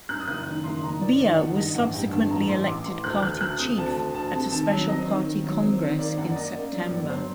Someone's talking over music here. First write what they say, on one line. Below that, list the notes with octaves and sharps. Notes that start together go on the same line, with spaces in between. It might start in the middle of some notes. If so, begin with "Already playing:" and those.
Biya was subsequently elected party chief at a special party congress in September.
F#2 F#6
D#6
F#1 F#6
D#3
F#1 C6
F#1 A#5
F#1 D5
D#3 D5
F#1 F#5
G2 D#5
A1 F#5
G2 G5
D3 A5
A1 A#5
A1 C6
A1 D6
A1 C6
D2 F#6
D2 F#6
D2 F#6
C3 D#6
D2 A5
D2
D2 A5
C3
D#3 A5
F#3
C4 D#5
D#3
D#3
F#3
C4
D#3
A#3 D5
F#2 F#5
D5
A#3 D#5
A#3 D5
F#3 D5
G1 D5
F#3 C5